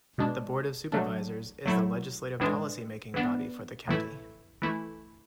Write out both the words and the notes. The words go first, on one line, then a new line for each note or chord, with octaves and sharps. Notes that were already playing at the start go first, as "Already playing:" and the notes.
The Board of Supervisors is the legislative policy making body for the County.
B2 G#3 D4
F#3 A3 D4
F#3 A3 E4
A2 E3 G#3 D4
E3 B3 D4
A2 E3 A3 E4
E3 A3 E4